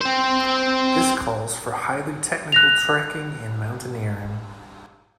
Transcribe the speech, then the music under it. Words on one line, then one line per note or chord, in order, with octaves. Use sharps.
This calls for highly technical trekking and mountaineering.
C4 C5
F#6 A#6 F7